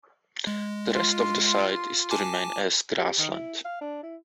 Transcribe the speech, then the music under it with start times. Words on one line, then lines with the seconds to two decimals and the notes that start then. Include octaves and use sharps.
The rest of the site is to remain as grassland.
0.47 G#3
0.93 F4 C6
2.11 G#5 A5 D6
2.97 G4
3.18 D#3
3.31 E4
3.65 F5
3.81 D4
4.03 E4